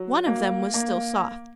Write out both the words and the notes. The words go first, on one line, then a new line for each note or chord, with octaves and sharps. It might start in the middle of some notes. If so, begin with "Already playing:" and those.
One of them was still soft.
Already playing: F#3
A#3
A#3